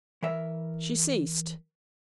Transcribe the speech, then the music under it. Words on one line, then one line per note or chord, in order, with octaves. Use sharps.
She ceased.
E3 A#4 E5